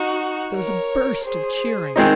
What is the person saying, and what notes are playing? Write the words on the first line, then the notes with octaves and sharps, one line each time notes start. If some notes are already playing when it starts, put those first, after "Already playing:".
There was a burst of cheering.
Already playing: D#4 F#4
A#4 C#5
G#4 C5
D#3 G#3 C4 D#4